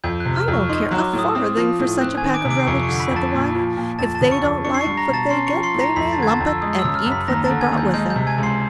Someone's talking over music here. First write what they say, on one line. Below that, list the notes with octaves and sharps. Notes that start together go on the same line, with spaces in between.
'I don't care a farthing for such a pack of rubbish', said the wife; 'if they don't like what they get they may lump it, and eat what they brought with them.
F2 G6
C3 F#6
F6
F2
C#6
D#4 C6
F#3
D6
A2
D#6
C4 D#6
F3
A2
C4 F#6
G#5 G#6
D#3
D6 D7
C3
D6 D7
C7
F2 C#6 C#7
C#6 C#7
D3
B5 B6
F2
A5 A6
A#2
F3
A#2
F2 A5 A6
A5 A6
C#3
C#6 C#7
F2
D4 C#6 C#7
C7
C#6 C#7
G3
A#5 A#6
B2
A5 A6
C#4 C6 C7
C#6 C#7
F3
C6 C7
A2
A#5 A#6
F2 B5 B6
A5 A6
D3 G#6
A5 A6
F2
E6
G#3 D#6
E6
C#3
F6
F#2
B5 B6
D#2 A#5 A#6
A5 A6
D3
G#5 G#6
D#2
G6
G#3 G6
G6
C3
G#5 G#6
C#2
C6 C7